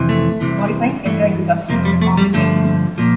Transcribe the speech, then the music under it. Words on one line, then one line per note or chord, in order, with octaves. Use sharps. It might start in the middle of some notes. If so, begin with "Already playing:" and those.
Modifying entire instructions was a common technique.
Already playing: F2 C3 E3
A3
C2 C3 E3
G2 E3 A3
F2 C3 F3 A#3
G3
A3
G3
G2 D3 F3 A3
A#2 F3